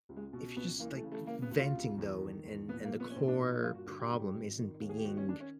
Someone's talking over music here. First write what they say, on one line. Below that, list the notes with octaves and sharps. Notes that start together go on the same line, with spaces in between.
if you're just, like, v venting, though, and and and the core problem isn't being,
C#2
G#3
B2
C#2 B3
E3 A#3
A3
C#3
A3
C#3 A#3
B3
D2
F4
C3
E2
D#3
E2
A#1 B3
A#3
A#2
B3
C#4
A#1 C4
D4
A#2 D#4
D#4
G2 F4
F#4
D3 F#4
G4
G2 G4
G#1
D#3
D#2
G#4
G4
D#3 F#4
C#4
D#3 D4
C#4